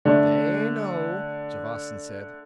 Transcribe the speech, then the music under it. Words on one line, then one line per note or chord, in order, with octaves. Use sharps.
"They know," Javasan said.
D3 A3